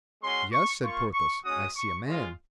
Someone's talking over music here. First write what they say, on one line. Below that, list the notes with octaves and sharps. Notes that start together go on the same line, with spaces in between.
"Yes," said Porthos; "I see a man."
G#3 C#4 F#4 C6
C#6
A#3 F4 C#6
C#6
G#3 C#4 F#4 D#6
C#6
G#3 C#4 F4